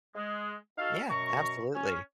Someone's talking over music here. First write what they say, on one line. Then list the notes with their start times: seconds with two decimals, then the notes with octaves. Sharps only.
Yeah, absolutely.
0.15 G#3
0.78 D#4 F#4 A4 F5
1.10 F#2 B2 A#5 C#6
1.74 C#4